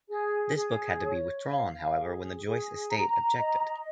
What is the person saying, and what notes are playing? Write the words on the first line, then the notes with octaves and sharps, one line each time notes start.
This book had to be withdrawn, however, when the Joyce estate objected.
G#4
G#4
C#5
F5
G#4
G#4
A#5
D#5